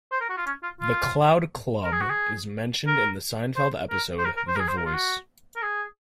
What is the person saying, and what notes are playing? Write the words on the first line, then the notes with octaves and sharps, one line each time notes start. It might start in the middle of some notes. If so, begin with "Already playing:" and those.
The Cloud Club is mentioned in the Seinfeld episode The Voice.
C5
A#4
F#4
F4
C#4
F4
F4
A#4
G#4
F#4
G#4
A#4
C5
A#4
C5
A#4
A#4
C5
A#4
G#4
C5
A#4
F4
F#4
A#4
G#4